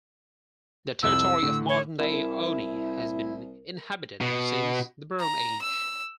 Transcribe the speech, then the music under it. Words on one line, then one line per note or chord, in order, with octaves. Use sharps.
The territory of modern-day Oni has been inhabited since the Bronze Age.
C2 F2 E6 F#7
A2 D3
C#5
C2 E4 A#4 E7
B2
A#5
E6